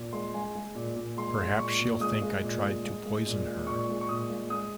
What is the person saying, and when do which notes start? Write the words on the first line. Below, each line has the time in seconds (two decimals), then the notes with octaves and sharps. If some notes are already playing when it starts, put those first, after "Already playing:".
Perhaps she’ll think I tried to poison her.
Already playing: A#2
0.13 G#3 C6
0.34 G#3 G#5
0.55 G#3
0.75 A#2
0.96 A#2
1.17 G#3 C6
1.38 G#3
1.59 A#2 C#6
1.79 A#2
2.00 G#3 D#6
2.22 G#3
2.42 A#2
2.63 G#3
2.84 G#3
3.05 G#3
3.26 A#2
3.47 G#3
3.67 A#2 C#6
3.89 G#3
4.01 C#6
4.09 A#2 D#6
4.30 G#3
4.50 G#3 D#6